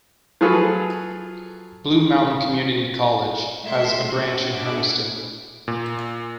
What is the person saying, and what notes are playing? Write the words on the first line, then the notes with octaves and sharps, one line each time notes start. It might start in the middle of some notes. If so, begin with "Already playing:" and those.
Blue Mountain Community College has a branch in Hermiston.
F3 F#3 F4 G#4 A4 B4
G#3 A3 E5 C6
B2 C#4 F#4
D4 G#4 E5 F#5 D6
A#2